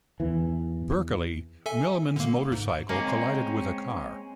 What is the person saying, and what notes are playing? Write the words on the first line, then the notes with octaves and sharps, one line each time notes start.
Berkeley, Millman's motorcycle collided with a car.
E2 E3
A4 E5 G#5
D3 A#3
G#2
G#3 A#3 C4 C#4